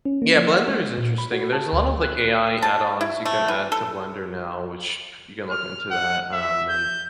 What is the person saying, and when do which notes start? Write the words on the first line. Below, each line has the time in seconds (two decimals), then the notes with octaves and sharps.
Yeah, Blender is interesting, there's a lot of, like, AI add-ons you can add to Blender now, which you can look into that, um, and,
0.05 C#4
0.22 A#3
0.37 F3
0.53 F#5
0.68 G#3
0.98 A#2
1.18 B5
1.32 F#4
1.53 A5
1.73 D2
2.03 F#6
2.62 A5
3.01 E4
3.25 A3
3.48 E3
3.72 A4
5.50 F6
5.91 F#5
6.32 E5
6.69 G6